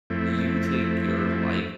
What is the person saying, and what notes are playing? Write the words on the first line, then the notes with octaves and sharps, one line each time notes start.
you take your life
F2 A3 C4 E4